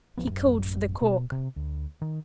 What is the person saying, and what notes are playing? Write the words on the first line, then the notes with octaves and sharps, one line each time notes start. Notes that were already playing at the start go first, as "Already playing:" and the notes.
He called for the cork.
D1 E2 F3 B3
A1 F#2
B2
C3
D2
D#3